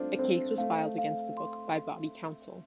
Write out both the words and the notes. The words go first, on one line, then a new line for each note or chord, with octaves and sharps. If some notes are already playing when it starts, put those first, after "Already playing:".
A case was filed against the book by Badi council.
Already playing: A3 C4 D4 F4 C5
C4 C5
A3 F5
F5
C6